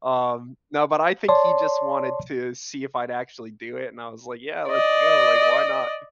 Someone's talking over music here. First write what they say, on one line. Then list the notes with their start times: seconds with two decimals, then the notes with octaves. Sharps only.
Um, no, but I think he just wanted to see if I'd actually do it, and I was like, "Yeah, let's go, like, why not?"
1.28 C#5 D5 A5 C6
4.69 D5 D#5